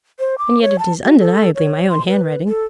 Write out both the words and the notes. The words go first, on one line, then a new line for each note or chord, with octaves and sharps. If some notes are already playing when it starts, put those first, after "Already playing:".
And yet it is undeniably my own handwriting.
C5
D6
C#5
A5
F#4
A4
C#5
C6
B4
A4